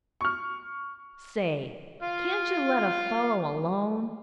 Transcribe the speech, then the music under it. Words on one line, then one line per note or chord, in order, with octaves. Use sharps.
"Say, can't you let a fellow alone?"
C#6 F6
F4 F5